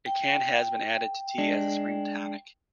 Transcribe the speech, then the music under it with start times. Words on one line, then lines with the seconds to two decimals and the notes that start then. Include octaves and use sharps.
It can has been added to tea as a spring tonic.
0.06 G5
1.38 G#3 D4